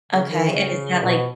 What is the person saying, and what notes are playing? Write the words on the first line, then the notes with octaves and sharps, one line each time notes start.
Okay, and is that, like,
C#3
D#3
C#3
A#2
B2